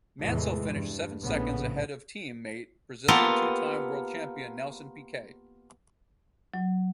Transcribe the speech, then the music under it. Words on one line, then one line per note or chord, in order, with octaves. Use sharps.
Mansell finished seven seconds ahead of team mate Brazilian two-time World Champion Nelson Piquet.
E2 A2 C3 E3 G#3 A3
G2
A#1 A2 C#3 B3
A#3 B3 F4 G4 A4
F#3